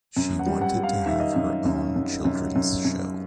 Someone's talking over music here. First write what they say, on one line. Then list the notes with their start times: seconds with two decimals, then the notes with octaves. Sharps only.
She wanted to have her own children’s show.
0.17 F#2
0.39 F#5
0.46 G3
0.61 F#5
0.76 G3
0.83 F5
1.06 D#3 E5
1.20 D#5
1.33 F#2 E5
1.66 F#2
1.96 F#2
2.25 F#2
2.56 F#2
2.85 F#2